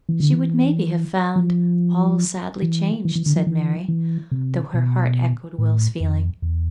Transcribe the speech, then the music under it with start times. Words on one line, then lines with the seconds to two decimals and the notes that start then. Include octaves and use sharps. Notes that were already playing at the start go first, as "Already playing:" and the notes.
"She would may be have found all sadly changed," said Mary, though her heart echoed Will's feeling.
0.09 E3
0.20 D3
0.32 E3
1.36 F3
2.62 E3
3.05 E3
3.15 E3
3.26 D3
3.36 F3
3.47 E3
3.88 E3
4.31 C3
4.74 B2
5.58 A2
6.00 F2
6.42 E2